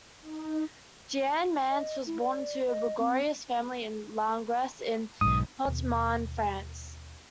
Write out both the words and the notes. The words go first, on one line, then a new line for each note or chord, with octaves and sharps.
Jeanne Mance was born into a bourgeois family in Langres, in Haute-Marne, France.
D#4
D#5
E4
D5
D#5
C4
B1 G#2 D#6
D#2 B2